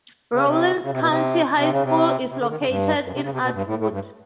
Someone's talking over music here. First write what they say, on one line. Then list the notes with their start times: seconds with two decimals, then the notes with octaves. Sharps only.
Rawlins County High School is located in Atwood.
0.34 C#3
0.46 C3
0.82 C#3
0.92 C3
0.99 B2
1.08 C3
1.57 C3
1.70 C#3
1.83 C3
2.31 C3
2.40 D3
2.49 D#3
2.59 C#3
2.67 G2
3.05 F#2
3.14 C3
3.24 C#3
3.32 C3
3.42 B2
3.54 G2
3.66 A2
3.79 A2
3.91 G2